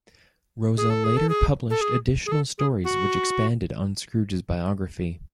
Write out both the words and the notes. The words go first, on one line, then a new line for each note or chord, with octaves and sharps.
Rosa later published additional stories which expanded on Scrooge's biography.
G#4
A4
G#4
A4
G#4
A4
G#4
G#4
A4
G#4
F#4